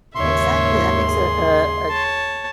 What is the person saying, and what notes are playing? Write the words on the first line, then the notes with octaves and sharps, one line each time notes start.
Exactly, that makes a a a d
D#2 G#2 C#3 C#5 E5 C6
G#4
C#5 A5